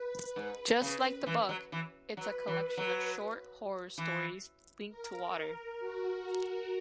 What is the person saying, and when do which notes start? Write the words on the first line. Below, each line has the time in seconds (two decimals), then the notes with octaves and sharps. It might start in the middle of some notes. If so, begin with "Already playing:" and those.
Just like the book, it's a collection of short horror stories linked to water.
Already playing: B4
0.36 G#2 B4
0.81 C#3
1.26 E3
1.49 F#3
1.72 E3
2.17 F#3 B4
2.48 E3
2.77 F#3
3.98 E3
4.89 A#4
5.79 F#4